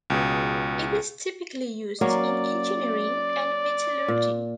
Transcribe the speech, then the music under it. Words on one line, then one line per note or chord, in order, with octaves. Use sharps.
It is typically used in engineering and metallurgy.
C#2 B2 G#4
F#3 A#3 C#4 D5
A#2